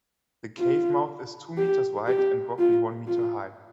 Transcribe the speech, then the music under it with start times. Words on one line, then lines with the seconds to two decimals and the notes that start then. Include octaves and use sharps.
The cave mouth is two metres wide and roughly one metre high.
0.58 F4
1.58 G4
2.08 G4
2.58 F4
3.07 F4